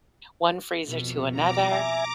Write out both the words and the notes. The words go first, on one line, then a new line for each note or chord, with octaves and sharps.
one freezer to another?
F2 B2
A#5 D6
E5 G#5